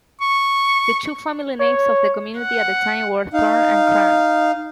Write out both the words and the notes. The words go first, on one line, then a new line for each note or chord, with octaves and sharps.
The two family names of the community at the time were Thorne and Crann.
C#6
C#5
F#5
D#4 F5